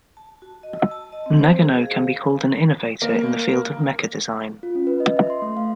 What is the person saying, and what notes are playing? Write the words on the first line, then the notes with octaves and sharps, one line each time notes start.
Nagano can be called an innovator in the field of mecha design.
A5
F#4
D#5
E6
A5
D#5
C4
C5
G#4
F5
A#3
F4
C#4
B4
D#5
E5
C6
A3
F5